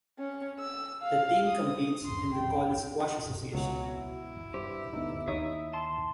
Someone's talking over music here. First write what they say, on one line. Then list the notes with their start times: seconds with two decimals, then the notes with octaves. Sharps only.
The team competes in the College Squash Association.
0.19 C#4
0.59 E6
1.03 F5
1.46 D#6
2.04 C6
2.35 G5
3.53 C#2 B2 F#3
3.92 E4
4.54 G2 G4 C5
4.93 D2 C#3 B3 D#4
5.28 D#2 D#4 C#5 E5 D#6
5.73 A5 C6